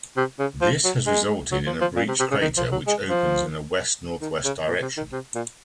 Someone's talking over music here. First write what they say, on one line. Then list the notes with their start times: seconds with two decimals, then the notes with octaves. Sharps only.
This has resulted in a breached crater which opens in a west-northwest direction.
0.17 C3
0.39 C#3
0.62 F3
0.85 F#3
1.06 G#3
1.52 F#3
1.66 F3
1.81 F3
1.97 A#2
2.08 C3
2.19 C3
2.31 C#3
2.42 D#3
2.57 F3
2.72 F#3
2.87 G#3
3.10 F3
4.22 D#3
4.45 C#3
4.68 A#2
4.82 C3
4.97 D#3
5.12 C3
5.35 A#2